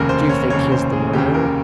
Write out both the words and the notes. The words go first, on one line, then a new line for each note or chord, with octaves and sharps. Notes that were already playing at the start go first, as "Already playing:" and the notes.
"Do you think he is the murderer?"
Already playing: F1 D#2 C#3 A#4
C5
C#5
F1 D#2 C#3 C#5
C5
G#4
F1 D#2 C#3 G4
A#4